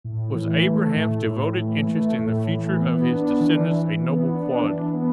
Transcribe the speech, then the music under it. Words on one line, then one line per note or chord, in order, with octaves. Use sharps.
Was Abraham's devoted interest in the future of his descendants a noble quality?
A2
E3
A3
A2
A2
E3
A3
A2
E3
B3
D4
E3
E3
B3
D4
E3
B3